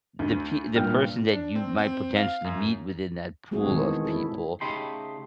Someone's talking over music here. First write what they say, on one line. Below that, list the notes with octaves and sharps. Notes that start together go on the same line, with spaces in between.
the p the person that you might potentially meet within that pool of people
D2
G2 A#2 G5 F6
D4
C4
C4
F5
F#2
G#3 A3 C4 F#4 G#4
B2 D#3 E3 G#3
E4 A4
C#3 A3 D#4 G4 B5 C6